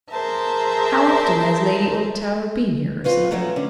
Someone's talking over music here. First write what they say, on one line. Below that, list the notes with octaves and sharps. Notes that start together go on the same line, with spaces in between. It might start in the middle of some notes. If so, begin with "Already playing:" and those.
"How often has Lady Oldtower been here, Ursula?"
G#4 A#4 C5 E5 A5
C4 F4 B4 C#5
F3 F#3 A3 C#4 F#4
D3 C#4